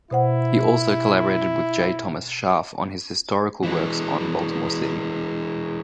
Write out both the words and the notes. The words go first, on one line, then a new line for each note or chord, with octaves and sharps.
He also collaborated with J. Thomas Scharf on his historical works on Baltimore City.
B2 E4 C5 F#5
E3 G#3